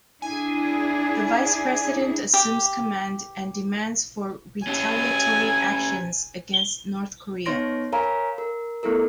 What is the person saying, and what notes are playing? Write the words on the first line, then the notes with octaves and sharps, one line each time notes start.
The Vice President assumes command and demands for retaliatory actions against North Korea.
D4 E4 G#4 G#5
G4
C#4 G4 G#5
B3 D#4 C#5 C6 A#6 D7
A#4 C#5 F5 G#5 A#5 B5
A#4
A3 B3 E4 A4 A#4